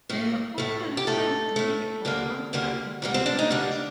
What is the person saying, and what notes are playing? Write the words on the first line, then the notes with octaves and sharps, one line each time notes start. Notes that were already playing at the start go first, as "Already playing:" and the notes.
They are often served with or after a dessert.
A2 A3
A2 A3
G4
A2 A3 A4
A2 A3
D2 D3 G3 A#3
D2 D3 G3 A#3
D2 D3 G3 A#3
C4
D4
D#4
D2 D3 G3 A#3 D4